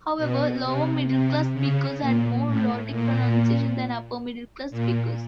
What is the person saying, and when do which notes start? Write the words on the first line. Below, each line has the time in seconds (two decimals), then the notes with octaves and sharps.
However, lower-middle class speakers had more rhotic pronunciation than upper-middle class speakers.
0.18 B2
0.64 C3
1.09 C3
1.54 C#3
2.00 A#2
2.45 A2
2.90 A#2
4.71 A#2